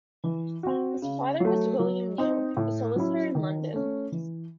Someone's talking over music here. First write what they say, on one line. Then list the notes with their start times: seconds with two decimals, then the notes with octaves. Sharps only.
His father was William Neal, a solicitor in London.
0.24 E3
0.63 C4 F#4
1.02 C#3
1.40 F#3 A3
1.79 F#3
2.18 C4 D#4
2.57 A2
2.96 F#3 C#4 E4
3.35 D#3
3.73 A3 C#4
4.12 E3